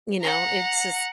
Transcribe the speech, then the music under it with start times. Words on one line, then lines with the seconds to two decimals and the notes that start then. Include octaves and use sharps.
you know, it's just
0.20 F#5 A#5